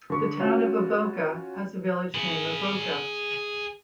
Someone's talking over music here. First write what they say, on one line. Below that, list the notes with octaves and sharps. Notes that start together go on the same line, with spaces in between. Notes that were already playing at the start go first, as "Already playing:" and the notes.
The Town of Avoca has a village named Avoca.
D3 C#6
C#4 F4 F#4
G#4 B5